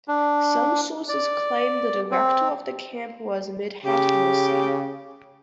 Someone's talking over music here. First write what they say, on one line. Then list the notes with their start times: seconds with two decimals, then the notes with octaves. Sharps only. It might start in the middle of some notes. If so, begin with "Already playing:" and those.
Some sources claim the director of the camp was Midhat Mursi.
0.08 D4
1.09 D5
2.11 C4
3.85 C#3 G4